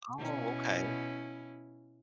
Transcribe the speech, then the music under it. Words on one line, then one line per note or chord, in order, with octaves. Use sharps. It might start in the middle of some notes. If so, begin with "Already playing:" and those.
Oh, okay.
B2 C#4 E4